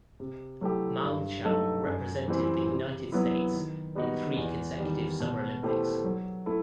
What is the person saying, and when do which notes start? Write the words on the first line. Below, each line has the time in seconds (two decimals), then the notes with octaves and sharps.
Malchow represented the United States in three consecutive Summer Olympics.
0.20 C3
0.61 F#3 A3 E4 G4
1.04 G2
1.44 F#3 A3 D#4 A4
1.86 F#2
2.28 E3 G3 C4
2.71 C3
3.12 F#3 B3 E4 B4
3.54 D#3
3.95 G3 B3 D#4 F#4
4.37 E2
4.80 D#3 G3
5.20 B2
5.63 A3 E4 G4 C5
6.04 F#3
6.46 A3 E4